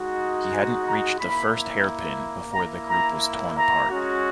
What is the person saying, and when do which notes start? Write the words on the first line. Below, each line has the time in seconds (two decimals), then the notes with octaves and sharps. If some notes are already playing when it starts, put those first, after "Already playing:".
He hadn't reached the first hairpin before the group was torn apart.
Already playing: G#3 D#4 F#4
0.50 G#5
0.85 A#5
1.18 A#3 E4 B5
2.54 A#3 E4 A#5
2.88 A#5
3.56 A#5
3.89 G#3 C#4 F#4